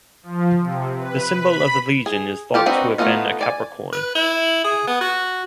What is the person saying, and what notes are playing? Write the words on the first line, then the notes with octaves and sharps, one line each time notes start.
The symbol of the legion is thought to have been a capricorn.
F3
C3
B4
B5
G#4
F4 G4 A4
C4 D4 D#4 F#4 B4
A3 B3 C#4 D#4 F4
D5 G#5
B4
E4
G#4
B3
F#4